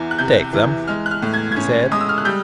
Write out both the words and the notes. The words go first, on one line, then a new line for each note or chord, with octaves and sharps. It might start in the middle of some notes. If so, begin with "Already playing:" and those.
"Take them," he said.
Already playing: E2 E3
F#6
C3 G6
E3
G#3 F6
F#6
F6
A2
G#6
C#4 G#6
G#3 D#6
E6
F6
F#6
G3 G6